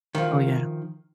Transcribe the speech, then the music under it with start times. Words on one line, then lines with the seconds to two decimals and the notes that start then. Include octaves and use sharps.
Oh yeah.
0.15 D#3 F3